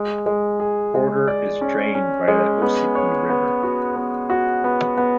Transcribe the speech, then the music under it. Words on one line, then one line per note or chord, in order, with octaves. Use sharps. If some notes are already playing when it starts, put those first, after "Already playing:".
Porter is drained by the Ossipee River.
Already playing: G#3
G#3
G#4
G#3
D5
C#4
C#4
G#3
B3
C#5
B3
F#4
B3
F#4
B3
B3